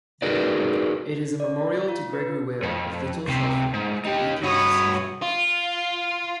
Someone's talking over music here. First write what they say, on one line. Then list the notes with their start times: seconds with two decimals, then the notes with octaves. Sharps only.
It is a memorial to Gregory Wale, of Little Shelford, of the eighteenth century.
0.22 D#4 F#4 G#4 A#4 B4 D5
1.40 D5
1.88 F4
2.13 B4
2.63 F2
3.28 C#2 C3
3.74 G#2
4.05 D#4 G4
4.43 G2 F#4 C#5 B5 D#6
5.22 F4